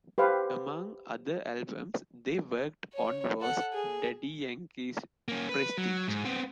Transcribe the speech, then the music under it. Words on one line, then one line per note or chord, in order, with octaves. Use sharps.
Among other albums they worked on was Daddy Yankee's "Prestige".
G4 B4 C5 F5
C#5
A4 F#5
G#4
A#3 C#4
B4
F#3
G#2
B3 C4